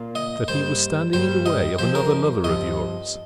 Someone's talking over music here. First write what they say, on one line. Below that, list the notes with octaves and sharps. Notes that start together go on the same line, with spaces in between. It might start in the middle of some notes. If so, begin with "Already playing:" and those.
"That he was standing in the way of another lover of yours."
Already playing: A#2 A#3 F4
D#5
G2 G3 A#3 C5
G2 G3 A#3 C5
D#5
G2 F3 C4 G4 C5
A#4
G2 F3 C4 G4 D#5